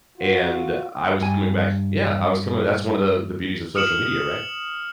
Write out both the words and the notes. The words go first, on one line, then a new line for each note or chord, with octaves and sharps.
and I was coming back Yeah. I was coming that's one of the the beauties of social media, right?
F4 F#4
G2 G#5
D#6 F6 C#7 E7 F#7